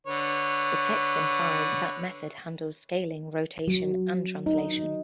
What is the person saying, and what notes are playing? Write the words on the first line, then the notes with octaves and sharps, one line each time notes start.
The text implies that method handles scaling, rotation, and translation.
D3 B4 C#5
F#3
D#4